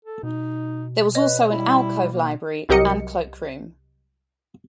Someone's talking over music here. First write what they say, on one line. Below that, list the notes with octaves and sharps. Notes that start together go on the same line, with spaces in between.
There was also an alcove library and cloakroom.
A4
B2 D#4
B4 C#5 D#5
G3 E4
A#3
C2 F#3 G4 A#4 D#5 C#7